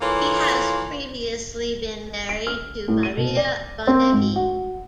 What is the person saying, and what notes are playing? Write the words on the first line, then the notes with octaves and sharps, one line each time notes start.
He has previously been married to Maria Bonnevie.
E3 A#3 F4 A4 C#5
D7
F6
A2
D#7
B2
D5
C4
G#2
F#4